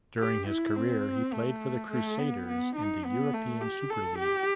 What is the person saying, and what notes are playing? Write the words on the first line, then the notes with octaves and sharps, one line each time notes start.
During his career, he played for the Crusaders in the European Super League.
G4
E4
C4
A3
A3
B3
B3
D#4
B3
A3
G4
A4
G4